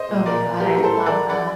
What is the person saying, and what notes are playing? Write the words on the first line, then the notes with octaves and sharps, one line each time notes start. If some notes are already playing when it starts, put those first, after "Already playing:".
Oh my god. I love that.
Already playing: C5 D#5
A#2
A#2 A#4 D5
A#2
F#3 G4 A#4
A2 A#4
A4 C5
F#3
A#4 D5
F#3
F#3 D5 F#5